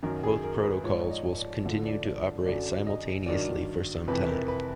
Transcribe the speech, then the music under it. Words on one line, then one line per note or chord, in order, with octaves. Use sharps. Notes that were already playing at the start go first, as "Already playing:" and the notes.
Both protocols will continue to operate simultaneously for some time.
F#2 D#3 F#3 A#4
G#4
A#4
B4
G#2 F3 C#5
D5
D#5
D5
D2 D3 F3
D5
D5
F#2 D3 F#3 D5
D#5
G2 D#3 F#3 D5
F2 C3 E3 B4
A#4
B4